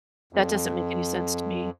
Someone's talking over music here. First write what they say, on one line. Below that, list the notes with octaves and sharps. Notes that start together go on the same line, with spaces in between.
That doesn't make any sense to me.
F2